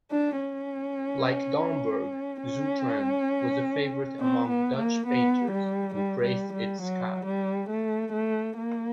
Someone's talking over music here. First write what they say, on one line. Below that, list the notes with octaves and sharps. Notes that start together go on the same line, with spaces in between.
Like Domburg, Zoutelande was a favorite among Dutch painters, who praised its sky.
D4
C#4
C#4
C4
B3
A#3
B3
G3
G3
G3
G3
F#3
G3
A3
A3
A#3